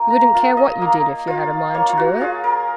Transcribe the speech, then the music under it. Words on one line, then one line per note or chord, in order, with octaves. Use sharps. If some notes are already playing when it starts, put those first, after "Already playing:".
'You wouldn't care what you did if you had a mind to do it.'
Already playing: A#3 F4
A#5
F4
D#5
A#3
F4
A#3 C#5
F4
F#4
F4 G#4
A#4